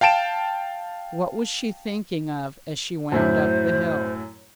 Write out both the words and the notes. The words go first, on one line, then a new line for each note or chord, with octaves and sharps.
What was she thinking of as she wound up the hill?
F5 G5 A5 D7 E7
F#2 A2 E4 C5